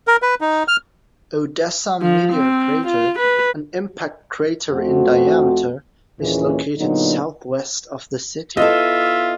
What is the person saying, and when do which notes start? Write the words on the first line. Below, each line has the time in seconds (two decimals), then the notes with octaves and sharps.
Odessa Meteor Crater, an impact crater in diameter, is located southwest of the city.
0.08 A#4
0.22 B4
0.41 D#4
0.68 F6
2.02 F3
2.33 C4
2.88 F4
3.19 B4
4.69 F2 A3 C4 F#4
6.20 D#2 A#2 E3 C#4 G#4
6.78 A#2 D3 F#3 B3 D#4
8.57 B3 E4 F4 A4 D#5 E5